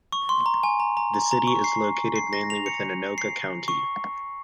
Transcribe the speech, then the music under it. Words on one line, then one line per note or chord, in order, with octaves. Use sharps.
The city is located mainly within Anoka County.
C#6
C6
A#5
G#5
A#5
A#5
A#5
A#5
C#6
C7
C7
A#6
F7
C#7
C7
C#6